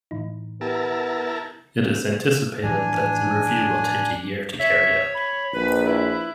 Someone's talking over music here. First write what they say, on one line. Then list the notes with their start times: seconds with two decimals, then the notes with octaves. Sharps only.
It is anticipated that the review will take a year to carry out.
0.11 A2 E3 D#4
0.61 B3 E4 G4 A#4 A5
2.63 A2 E3 F3 D4 G#5
4.59 C#5 E5
5.15 B5
5.53 A#1 B4
5.85 E4 B4